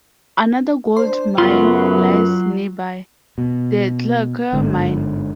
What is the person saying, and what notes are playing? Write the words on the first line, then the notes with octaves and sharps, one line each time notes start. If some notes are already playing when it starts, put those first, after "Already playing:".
Another gold mine lies nearby, the Clogau mine.
D4 C5 C6
F#2 C#3 F#3 A3 B3 F4 C6
B2
G1 G#2 D3